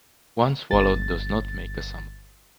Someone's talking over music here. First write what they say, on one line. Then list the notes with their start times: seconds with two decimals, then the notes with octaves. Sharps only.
One swallow does not make a summer.
0.71 G1 A6